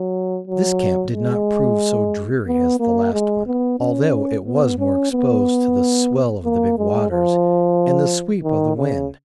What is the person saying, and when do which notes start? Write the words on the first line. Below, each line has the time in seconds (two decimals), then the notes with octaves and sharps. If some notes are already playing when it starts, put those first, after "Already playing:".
This camp did not prove so dreary as the last one, although it was more exposed to the swell of the big waters and the sweep of the wind.
Already playing: F#3
0.47 F#3
1.14 G#3
2.47 B3
2.80 A#3
3.13 G#3
3.46 B3
3.80 C#4
4.46 B3
4.79 C#4
5.12 B3
6.45 A#3
6.78 G#3
7.11 F3
8.44 D#3
8.77 C#3